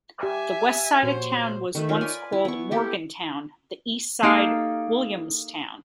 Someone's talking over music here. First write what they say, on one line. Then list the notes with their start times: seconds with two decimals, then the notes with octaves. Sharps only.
The west side of the town was once called Morgantown; the east side, Williamstown.
0.23 G4 E5 G#5
1.03 A#2 F#4 C5 C#5
1.75 D#3 A3 B4
1.89 D#4 F4 A#4 C#5
2.01 B4 D5 G#5
2.32 E4
2.45 B3 C#6
2.71 E4 G4 A4
4.23 A#3 D#4 G4 A4 F5